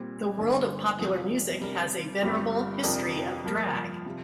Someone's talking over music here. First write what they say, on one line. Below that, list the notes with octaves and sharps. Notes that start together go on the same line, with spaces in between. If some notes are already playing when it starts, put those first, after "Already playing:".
The world of popular music has a venerable history of drag.
Already playing: A#2 G3 C4 G4
G1 G2 D3 A#3 D4
G1 F2 C3 F3
C3 G3 D4 A#4
G1 G2 G3 C4 G4
F2 C3 F3 D4 A#4
G2 F3 A#3
C3 F3